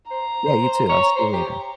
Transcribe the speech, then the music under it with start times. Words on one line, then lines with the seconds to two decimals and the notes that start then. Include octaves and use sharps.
Yeah, you too. I'll see you later.
0.11 C5 A#5
0.46 C5
0.63 C5
0.89 C#5
1.16 C5
1.33 G4